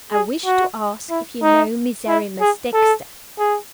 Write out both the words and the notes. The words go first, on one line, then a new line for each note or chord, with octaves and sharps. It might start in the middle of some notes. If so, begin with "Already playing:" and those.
"I wish to ask if you know Miserrimus Dexter."
G#4
F#4
E4
D#4
E4
G#4
A4
G#4